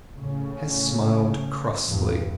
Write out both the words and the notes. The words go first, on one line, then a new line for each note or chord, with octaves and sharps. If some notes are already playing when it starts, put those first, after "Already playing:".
Tess smiled crossly.
A2 C#3
E2 G2